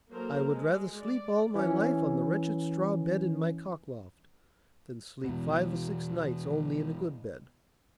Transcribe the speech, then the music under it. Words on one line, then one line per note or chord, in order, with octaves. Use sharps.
I would rather sleep all my life on the wretched straw bed in my cock-loft, than sleep five or six nights only in a good bed.
F#3 A#3 A4 A#4 C5
G#3
D5
E3 C#4
E2 B2